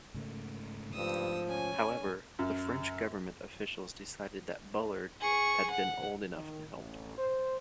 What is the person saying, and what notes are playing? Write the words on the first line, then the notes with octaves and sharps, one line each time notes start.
However, the French government officials decided that Bullard had been old enough to help.
G#2 C#3 A3
G2 F3 D#6 E6
C#4 G#5
F#2
G#4 C#6
F#5
D#3
A1
C5